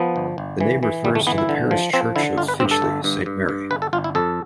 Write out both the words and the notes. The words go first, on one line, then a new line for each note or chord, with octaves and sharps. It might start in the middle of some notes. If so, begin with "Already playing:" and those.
The name refers to the parish church of Finchley, Saint Mary.
Already playing: F3 B3
G1
G1
E3
E3
G1 G3
A3
E3 B3
E4
D3
F3
F3 C4
D3 E4
G1 F4
B4
G2 C4
A4
G1
G2
G2
G2
G1 B4
A4
G1 F4
E4
F2 A4